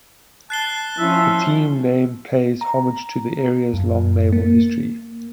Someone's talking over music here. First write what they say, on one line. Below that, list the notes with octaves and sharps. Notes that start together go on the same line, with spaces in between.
The team name pays homage to the area's long naval history.
A5 F#6 C7 G7
F3 C#4 E4 E5
A#5
F#2
A#3